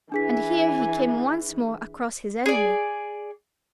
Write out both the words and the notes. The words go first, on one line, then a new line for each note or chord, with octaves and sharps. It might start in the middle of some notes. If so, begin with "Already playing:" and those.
And here he came once more across his enemy.
E3 D4 G#4 G#5 B6
G#4 D5